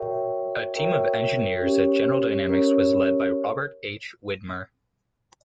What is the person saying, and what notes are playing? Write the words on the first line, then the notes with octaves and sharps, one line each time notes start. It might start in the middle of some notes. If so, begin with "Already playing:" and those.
A team of engineers at General Dynamics was led by Robert H. Widmer.
Already playing: F#4 A#4 C#5 E5 G5
F#4 A#4 C#5 E5 G5
C#4 G4 A#4 C#5
C#4 G4 A#4 C#5